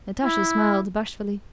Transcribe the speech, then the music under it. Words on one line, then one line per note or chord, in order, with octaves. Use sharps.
Natasha smiled bashfully.
E4